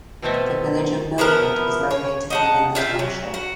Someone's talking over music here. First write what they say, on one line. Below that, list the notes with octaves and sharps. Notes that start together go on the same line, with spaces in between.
The village of Milford is located within the township.
B2 A3 C4 A4 D#5 E5
F3 B3 E4 A#4
C#5
D#4 F#5 A5
F4 E5 F#5 G5
F#3
F#4